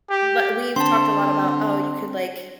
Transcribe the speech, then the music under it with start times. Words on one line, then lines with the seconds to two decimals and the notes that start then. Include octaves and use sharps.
w we've talked a lot about, "Oh, you could, like,
0.10 G4
0.76 D3 C4 A5 C6